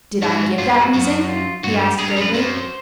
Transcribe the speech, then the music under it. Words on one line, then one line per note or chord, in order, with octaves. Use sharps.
"Did I give that reason?" he asked gravely.
G#2 F#4
G2 F4
F4
F#4
F#2 F#4
F4
G2 F#4
G4
G2 G#4
A#4
F#2
B4
F#2 C5